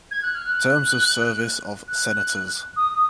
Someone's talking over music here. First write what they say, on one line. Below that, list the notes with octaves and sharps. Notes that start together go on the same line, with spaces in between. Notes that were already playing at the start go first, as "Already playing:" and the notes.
Terms of service of senators.
G#6
F#6
F6
F#6
F#6
D#6